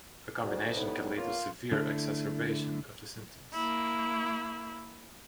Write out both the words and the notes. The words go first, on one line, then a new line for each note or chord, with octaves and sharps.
The combination can lead to severe exacerbation of the symptoms.
D2 G#2 D3 F#4 D5
A2 G3 B3 D#4
F2 A#3 B3 F4 C#5
D3 A3 D4 E4
A#3 E4